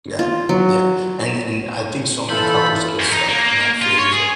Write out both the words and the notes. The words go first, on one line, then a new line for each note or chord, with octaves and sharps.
Yeah, yeah. And and I think so many couples get stuck in that phase of
F4
F#3
E3 F4 A4 C5 B5
F#2
D#4
A#3
A#3
F4
C#5
G#4